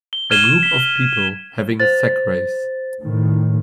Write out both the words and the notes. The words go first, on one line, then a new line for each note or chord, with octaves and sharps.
A group of people having a sack race.
G7
F6 G#6 D#7 E7 G7
B6
C5 A6
A2 D#3